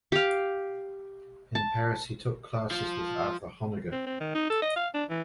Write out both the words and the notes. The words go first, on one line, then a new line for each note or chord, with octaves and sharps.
In Paris he took classes with Arthur Honegger.
G4 F5
A5
F3
C4
C4
D#3
D#4
A4
D#5
F5
D4
E3